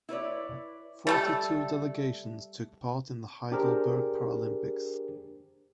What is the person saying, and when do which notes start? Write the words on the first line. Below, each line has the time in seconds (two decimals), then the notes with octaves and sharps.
Forty-two delegations took part in the Heidelberg Paralympics.
0.09 E4 B4 C#5 D5
1.07 G3 A3 A4
3.52 D4 G4 G#4 A#4 C5